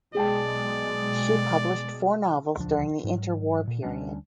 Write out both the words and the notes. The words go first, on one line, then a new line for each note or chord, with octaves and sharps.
She published four novels during the interwar period.
B1 B2 G#3 G#4 D5 G5 A5
D#1 C#2 F3 D4
G#2 F#3
A#2
D2 G3 C#4 D4